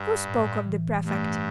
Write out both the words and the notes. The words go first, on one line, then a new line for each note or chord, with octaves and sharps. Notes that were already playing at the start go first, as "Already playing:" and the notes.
'Who spoke of the prefect?
Already playing: G2
A2
E3
G2 A3